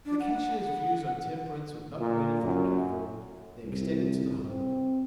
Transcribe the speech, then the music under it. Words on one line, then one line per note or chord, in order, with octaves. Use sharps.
The cashier's views on temperance were not merely for the platform; they extended to the home.
D4
F#5
A#2
F#2
C2
C4